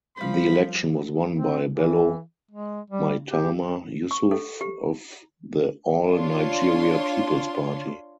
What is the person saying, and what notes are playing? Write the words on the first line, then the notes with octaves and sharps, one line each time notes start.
The election was won by Bello Maitama Yusuf of the All Nigeria Peoples Party.
F3 G3 C5 F5 B5
C4
E3
G#3
G3
G4
C#6
A4
G4
D4 F4 C#5 C6